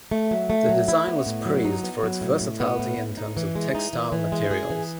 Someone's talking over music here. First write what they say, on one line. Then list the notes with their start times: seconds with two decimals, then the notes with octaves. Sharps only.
The design was praised for its versatility in terms of textile materials.
0.11 A3
0.31 F#3
0.50 A3
0.69 F#3
0.88 E4
1.08 B3
1.26 A2
1.46 F#3
1.65 D#4
1.83 B3
2.03 F#3
2.21 A2
2.41 A2
2.60 B3
2.79 A2
2.98 A2
3.18 D#4
3.37 E3
3.55 G#3
3.75 D#4
3.93 E3
4.12 E3
4.32 G#3
4.51 G#4
4.70 E3